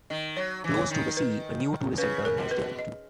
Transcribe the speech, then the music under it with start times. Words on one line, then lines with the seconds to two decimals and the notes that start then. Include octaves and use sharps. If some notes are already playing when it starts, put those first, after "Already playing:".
Close to the sea, a new tourist centre has developed.
0.10 D#3 D#5
0.37 F#3 C#5
0.64 E3
0.77 C#5
0.90 D#3
1.17 B4
1.97 C#3 B4
2.25 A#4
2.38 B2
2.51 B4
2.79 D#5